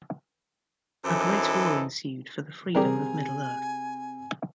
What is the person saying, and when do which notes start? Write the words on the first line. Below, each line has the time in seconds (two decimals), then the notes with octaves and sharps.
A great war ensued for the freedom of Middle-earth.
1.05 F#2 E3 C4 D#4 A4
2.75 C3 E3 G3 C4 G4 G#4 A#4 G#5